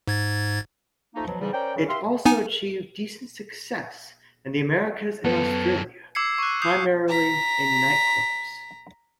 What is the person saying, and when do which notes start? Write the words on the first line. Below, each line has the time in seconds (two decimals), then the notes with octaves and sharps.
It also achieved decent success in the Americas and Australia, primarily in nightclubs.
0.07 G#2 G#6 A6
1.15 F3 A3 A#3 D#4
1.27 B2 F3 F#3
1.40 E2 G#2 C#3 E3 G3
1.53 C#4 A#4 C5 D5 G5
1.76 C#3 E3 G3
1.89 G4 E5 F5 C6
2.26 B3 D#4 G#5
5.25 F#2 B3 A4
6.15 D6 E6 G#6 C7 C#7
6.38 C#6 F#6
6.62 D#6 G6 C7
7.08 A#5 B6